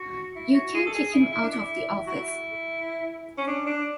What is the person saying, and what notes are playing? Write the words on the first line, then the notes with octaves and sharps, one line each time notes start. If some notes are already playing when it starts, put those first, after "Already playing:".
You can't kick him out of the office.
Already playing: F#4
E4
F#4
G#4
A4
G#4
E4
E4
D4
E4
F#4
E4
C#4
D4
D4